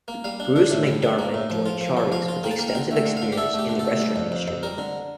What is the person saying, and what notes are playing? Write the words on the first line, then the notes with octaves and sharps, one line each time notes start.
Bruce MacDiarmid joined Shari's with extensive experience in the restaurant industry.
A#3
G3 F5
D4
D4
A2
G3
D4
A#3
A2
F3
F4
F3
F3
F3 F5
F4
A#3 G5
A5
A#3 G5
F5
D3 G5
A3
G5
D3
F5
D3
G4
E4 A4
A3 G4
D3
A4
A3
G3
F2
F2
F2
G3 A#4
D3